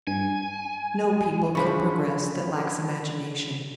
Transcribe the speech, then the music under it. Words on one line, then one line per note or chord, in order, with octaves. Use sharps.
No people can progress that lacks imagination.
G2 G#5
C#3 F3 D4 B5 C#6